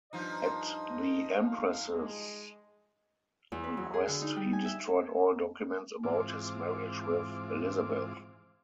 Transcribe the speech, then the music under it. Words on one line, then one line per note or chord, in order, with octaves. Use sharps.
At the Empress's request he destroyed all documents about his marriage with Elizabeth.
G2 F3 D#4 D#5
F5
G#3
E2
B4
F#3
G#4
D3
D#4
G3
G#5
E5
G#2 E3 C4 F4 D6